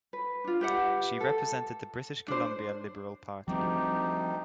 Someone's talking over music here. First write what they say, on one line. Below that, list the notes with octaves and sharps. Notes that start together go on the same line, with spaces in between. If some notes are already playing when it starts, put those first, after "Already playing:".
She represented the British Columbia Liberal Party.
B4
D4 F4
G4 B4 E5 F#5
A4
D4 C5
D2 F3 G3 C4 D#4 G4